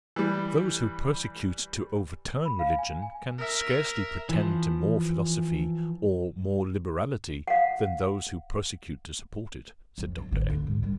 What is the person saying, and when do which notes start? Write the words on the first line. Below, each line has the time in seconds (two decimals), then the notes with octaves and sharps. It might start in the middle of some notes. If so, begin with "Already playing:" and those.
"Those who persecute, to overturn religion, can scarcely pretend to more philosophy, or more liberality, than those who persecute to support it," said Dr. X----.
0.16 E3 G3
2.45 B5
2.59 F5
2.78 G#5
3.02 G#5
3.38 A#4 E5
4.29 E3 F3
7.47 F5 F#5
9.98 F2 F3
10.18 C2
10.31 G#1 D3
10.50 D2
10.67 G#2
10.83 D#3 G3